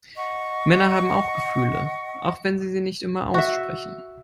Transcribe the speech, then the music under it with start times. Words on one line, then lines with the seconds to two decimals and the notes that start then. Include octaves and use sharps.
Männer haben auch Gefühle, auch wenn sie sie nicht immer aussprechen.
0.16 D#5 F#5 C#6
3.34 F#4 E5